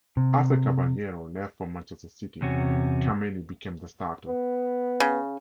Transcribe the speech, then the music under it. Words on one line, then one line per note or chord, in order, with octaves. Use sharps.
After Caballero left for Manchester City, Kameni became the starter.
C3
E2 C3 C#4 F#4
B3
C#3